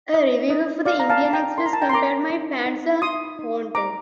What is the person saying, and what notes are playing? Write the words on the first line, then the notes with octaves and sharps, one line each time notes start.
A reviewer for the Indian Express compared My Pants are Haunted!
D#4 D#5
D#4 D#5
A#4 D5 F5
A#5
F5 A5
D#4 A5
G5 A#5
A#4 C6
A#5
A5
G5 A#5
C6
A#4 A#5 D6
D#4
D#4
D#4 C6 D#6
D#4
C5 A#5 D6